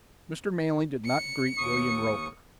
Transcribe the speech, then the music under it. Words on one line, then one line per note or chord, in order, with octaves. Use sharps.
Mr. Manley did not greet William Roper.
C#7
D#2 C#6 D#6